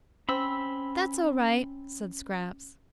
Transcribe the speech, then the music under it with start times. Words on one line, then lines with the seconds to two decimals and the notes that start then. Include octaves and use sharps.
"That's all right," said Scraps.
0.29 C4 C#4 B5 E6